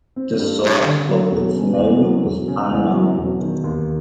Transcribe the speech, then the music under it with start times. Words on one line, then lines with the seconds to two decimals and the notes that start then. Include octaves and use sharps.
The source of its name is unknown.
0.16 C4
0.40 G2
0.63 G3
0.86 D3
1.09 F#3
1.32 E1
1.56 C#3
1.78 E2
2.01 F#3
2.25 E1
2.48 C#3
2.71 E2
2.94 F#3
3.18 E1
3.41 D#3
3.64 D#2